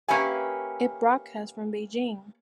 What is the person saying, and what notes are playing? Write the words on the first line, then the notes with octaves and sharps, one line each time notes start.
It broadcasts from Beijing.
A#3 C#4 G4 B4 E5 G#5